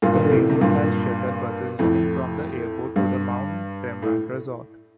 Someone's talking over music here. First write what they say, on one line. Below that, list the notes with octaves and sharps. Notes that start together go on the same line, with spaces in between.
The airport has shuttle buses running from the airport to the Mont Tremblant Resort.
G2 A#2
D#3
D3
A2 C3
C3
G2 A#2
F2 A2
G2
A2